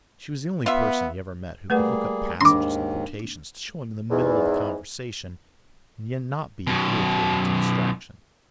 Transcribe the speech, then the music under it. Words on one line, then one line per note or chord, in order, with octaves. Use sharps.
She was the only person he ever met who could look up passages and quotations to show him in the middle of the conversation, and yet not be irritating to distraction.
B3 F4 E5
G3 A3 A#3 G#4 B4 F#5
D#2 G#2 D#3 D4 C6 D6
E2 G#2
F#2 B2